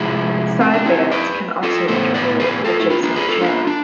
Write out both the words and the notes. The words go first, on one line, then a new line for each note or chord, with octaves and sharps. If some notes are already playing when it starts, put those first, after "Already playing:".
Sidebands can also interfere with adjacent channels.
Already playing: C3 F3 G#3 E4 G#4
C4
D4
C4 E4
B4 D5
F4 A4
A2 G#3 B3 A4 C5
B4 D5
G#4 B4
F4 A4
E4
D4 F4
D4 F4
G#4 B4
F4 A4
D4 F4
D4